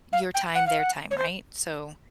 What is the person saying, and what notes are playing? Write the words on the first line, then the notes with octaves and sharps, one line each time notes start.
your time, their time, right? So,
F5
G5
F#5
F5
F#5
C#5
C5